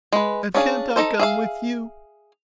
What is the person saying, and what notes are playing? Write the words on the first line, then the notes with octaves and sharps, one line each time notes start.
"And can't I come with you?"
G#3 B4
C#4 D4 G#4 F5
D#4 A4 C5
G#4 E5 F5